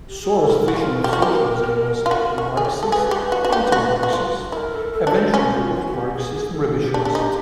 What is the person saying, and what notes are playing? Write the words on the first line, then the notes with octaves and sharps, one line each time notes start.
Sorel's vision of socialism was "a-Marxist, anti-Marxist, eventually post-Marxist revisionist".
G4
G#4
A4
E4 A#4
F#4
F4
G4
F#4
G4
F4
F#4
F#4
G#4
G4
A4
G#4 B4
G4
F#4
F#4
G4
F#4
F#4
F4
E4 A#4
A4
A4
D4
C5
C#4 B4
F4
F#4
F#4
G4
G#4
G#4
A4
G4
D4
D4
D#4